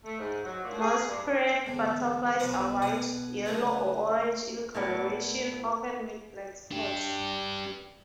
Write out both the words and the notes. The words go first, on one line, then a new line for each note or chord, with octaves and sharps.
Most pierid butterflies are white, yellow, or orange in coloration, often with black spots.
A3
G#2
F#3
A#2
G#4
G2
E2 G#2 D3
B1 F3 F4 B4 D5 A#5
B2 G#4 B4 F#5 G#5
C#3 F#3 A3 D#4 E4 B4
A2 A#3 B3 D5
D4 G4